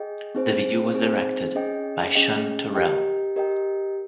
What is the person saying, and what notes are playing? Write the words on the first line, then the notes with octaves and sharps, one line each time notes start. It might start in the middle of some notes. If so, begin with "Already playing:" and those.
The video was directed by Sean Turrell.
Already playing: G#4 D#5 G5
C4 D#4 G#4 C5
C4 D#4 G#4 C5
C#4 G#4 D#5 G5
C#4 G#4 D#5 G5
G4 A#4 D#5 G5
G4 A#4 D#5 G5